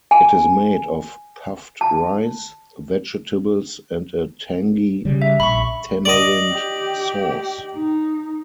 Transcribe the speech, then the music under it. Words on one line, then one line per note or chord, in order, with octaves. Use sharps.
It is made of puffed rice, vegetables and a tangy tamarind sauce.
G#5
A5
C#3 G3
E5
A#1 B5 C#6
D5 D#5
G4
D#4